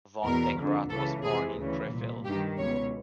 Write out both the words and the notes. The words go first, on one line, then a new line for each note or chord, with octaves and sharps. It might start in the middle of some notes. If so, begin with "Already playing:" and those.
Von Beckerath was born in Krefeld.
E2 B2 A#4
F2 D3
C#2 C#3 E3 A4
F2 C3 E3 G#4
D2 C#3 E3
C2 A#2
G2 D#3 G4
C#2 B2 C#5